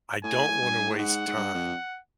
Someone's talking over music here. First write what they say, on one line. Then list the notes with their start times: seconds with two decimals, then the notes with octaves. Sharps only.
"I don't want to waste time,"
0.24 A2 G#5
0.61 G2
0.90 A2
0.98 G#2 F#5
1.28 G#2
1.36 G2
1.55 F2